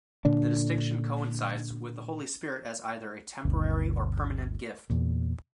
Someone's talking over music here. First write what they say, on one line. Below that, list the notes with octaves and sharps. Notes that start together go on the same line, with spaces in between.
The distinction coincides with the Holy Spirit as either a temporary or permanent gift.
A#2 D3 D4
G1 D2 B2
E2 A#2